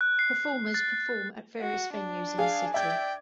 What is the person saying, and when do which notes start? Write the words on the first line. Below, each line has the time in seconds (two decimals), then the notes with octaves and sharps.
Performers perform at various venues in the city.
0.01 F#6
0.19 C7
0.74 F#6 A6
1.61 F#4
1.93 D4
2.38 G#4 F5
2.74 D5 E5 G5 G#6